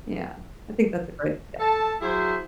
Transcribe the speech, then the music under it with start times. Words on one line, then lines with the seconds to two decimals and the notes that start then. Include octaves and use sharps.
Yeah, I think that's a great idea.
1.60 A4 A5
2.01 F#3 E4 G#4 C5